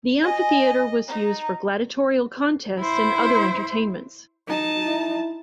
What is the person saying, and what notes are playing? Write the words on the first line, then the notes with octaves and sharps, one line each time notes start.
The amphitheater was used for gladiatorial contests and other entertainments.
D#5 G#5
D#4 A#5
E4 C5
D#4 A5
E4